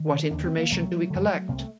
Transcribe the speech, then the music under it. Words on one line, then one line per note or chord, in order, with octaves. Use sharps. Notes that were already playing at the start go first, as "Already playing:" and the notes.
What information do we collect?
Already playing: D#3
D#2 D3 D4
C4
A#3
C2 C3 F#3 A3
F#2 D3
C2 C3 A#3
A3